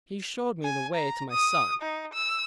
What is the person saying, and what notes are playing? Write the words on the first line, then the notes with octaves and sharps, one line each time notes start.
He showed me the way to my son.
G#5
A#5
D#6
D#4
E6